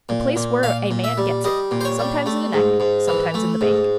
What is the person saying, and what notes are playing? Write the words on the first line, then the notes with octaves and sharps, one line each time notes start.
The place where a man gets it--sometimes in the neck, sometimes in the bank.
A#2
A#2
A#2 F5
A#2
E5
G3
G3 D#5
A#2
C5
C#5
G3
A3
G#2
G#2
E3
A3
G#2